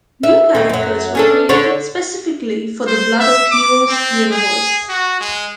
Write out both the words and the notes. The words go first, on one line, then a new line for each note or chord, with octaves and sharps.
New characters were created specifically for the "Blood of Heroes" universe.
E5
D#2 A3
F#2 F#3
C#4 D4 A4
D3 D4 C#5
C5
E5
D6
C4
G#4
F#4
G#3